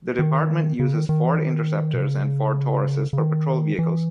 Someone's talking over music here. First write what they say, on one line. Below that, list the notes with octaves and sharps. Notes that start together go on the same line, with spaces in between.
The department uses Ford Interceptors and Ford Tauruses for patrol vehicles.
D#3
C#3
D#3
D#3
E3
D#3
B2
C#3
C#3
D#3
E3